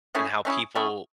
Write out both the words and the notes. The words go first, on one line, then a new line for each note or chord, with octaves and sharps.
and how people
A3 C#4 E4 G#4
A3 C#4 E4 G#4
A3 C#4 E4 G#4